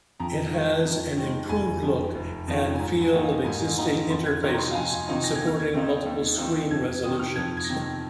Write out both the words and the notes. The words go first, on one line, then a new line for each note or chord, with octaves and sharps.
It has an improved look and feel of existing interfaces, supporting multiple screen resolutions.
F2 A#5
D#3 G#3
F2
D#3 G#3
F1 G#5
F2 D#3
F1
F2 D#3
G#5
G#2 A#5
G#5
D#3 A#3 D#4
F5
G#2 G#5
D#3 A#3 D#4 A#5
F2 C6
G#6
C3 D#3 C4 D#4 F6
A#5
C6
F5
F2 G#5
F5
C3 D#3 C4 D#4 G#5
A#6
G#6
D#2
F6
G#6
D#3 C4 D#4
D#2
D#3 C4 D#4
F2 G#6
C3 D#3 C4 D#6
F6
F2 G#6
G#6
A#6
C3 D#3 C4 G#6